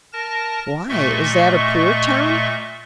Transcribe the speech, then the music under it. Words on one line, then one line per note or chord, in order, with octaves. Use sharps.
"Why, is that a poor town?"
A#4 A5 A#6
A#2 A3 D#5 E5 C#6